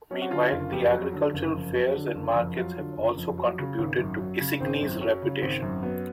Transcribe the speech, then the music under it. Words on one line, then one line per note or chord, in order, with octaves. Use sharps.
Meanwhile, the agricultural fairs and markets have also contributed to Isigny's reputation.
F#3 C#4
F#4
D3 F4
F#1 F4
F2 G4
F#3
D3
F#1
F2
F#3
D3
F#1
F2
F#3 F4
D3
F#1
F2
F#3
C#3
G#1
F#2
F#3
C#3
G#1 C4
F#2
F#3 C#4
C#3
G#1 C4
F#2
F#3 B3